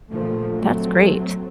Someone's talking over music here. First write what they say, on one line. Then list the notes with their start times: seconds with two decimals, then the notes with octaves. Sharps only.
That's great.
0.12 A#2 D3 F3 A3
0.56 F#3 A3 C4